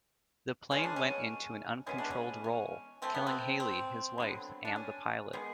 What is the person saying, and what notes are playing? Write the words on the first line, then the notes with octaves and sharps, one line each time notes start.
The plane went into an uncontrolled roll, killing Halley, his wife, and the pilot.
B2 G#3 B3 C#4
D4
C#4
E3 G#3 B3 C#4
D4
C#4
C#4
E3 A3 C4
B3
C4
C4
D3 F#3 B3
D4
C#4
D#3 G#3 B3